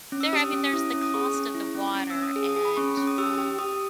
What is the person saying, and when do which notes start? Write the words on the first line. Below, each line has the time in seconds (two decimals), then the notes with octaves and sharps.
There I mean, there's the cost of the water, and, um,
0.12 C#4
0.21 E6
0.33 G4 D#6
0.53 C#4
0.73 E4 D#6
0.94 C#4
1.03 D#6
1.14 G#4 C#6
1.34 C#4
1.55 E4
1.75 C#4
1.95 C#4
2.10 C#4 E6
2.22 D#6
2.36 G#4
2.49 D#6
2.56 G#4
2.65 B5
2.77 C#4 C#6
2.97 C#4
3.07 D#6
3.18 G4 E6
3.38 G4
3.59 G4 D#6